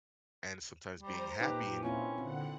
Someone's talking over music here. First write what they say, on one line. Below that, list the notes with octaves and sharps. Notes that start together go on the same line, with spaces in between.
and sometimes being happy and
G3 C5 A#5
A#2 D#4 G4 B4
C4 C#4 E4 F4
D3 C4 F#5